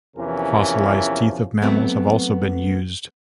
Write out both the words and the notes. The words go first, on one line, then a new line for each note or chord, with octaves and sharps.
Fossilized teeth of mammals have also been used.
E2 C3 E3 F3 C#4 A#4
F#3 A3 B3 C4